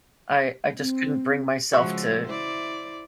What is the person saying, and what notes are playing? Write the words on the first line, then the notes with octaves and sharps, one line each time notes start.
I I just couldn't bring myself to
C4
C#3 F3 G#3 F#4 E5 C#6
E4 C5 D5